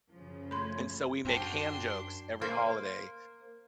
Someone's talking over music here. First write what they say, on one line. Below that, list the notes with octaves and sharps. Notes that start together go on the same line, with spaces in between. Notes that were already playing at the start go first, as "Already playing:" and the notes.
and so, we make ham jokes every holiday,
F#2 C#3 F3
A3 C#5 G#5 B5 C6
F#2 D4 F#4 C5 G5 A5 C6
A#3 C5